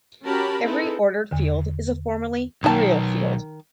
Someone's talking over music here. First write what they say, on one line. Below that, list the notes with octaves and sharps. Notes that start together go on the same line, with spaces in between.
Every ordered field is a formally real field.
C#4 F#4 G4 A#4 A5 B5
C4 D#4 E4 G#4 A4 B4
E2 D3
B1 D#3 A5